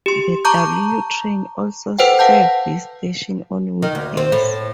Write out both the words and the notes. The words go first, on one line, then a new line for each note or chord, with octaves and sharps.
The W train also serves this station on weekdays.
G4 C6
A5 A#5 C#6 D6 G6
A4 B4 C5 F#5 G5
F5 F#5 A5 G6 C7
D#3
D2
C4
A2